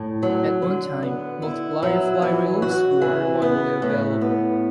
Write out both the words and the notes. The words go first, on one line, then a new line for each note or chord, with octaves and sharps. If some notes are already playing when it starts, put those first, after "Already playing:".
At one time, multiplier fly reels were widely available.
Already playing: A2
F#3
D3
B3
E4
F#3
E3
F#4
E3
B3
A2
B3